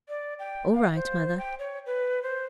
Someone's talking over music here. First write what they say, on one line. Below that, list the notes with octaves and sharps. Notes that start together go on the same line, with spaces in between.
'All right, Mother.
D5
G5
F5
C5
G5
C#5
B4
C5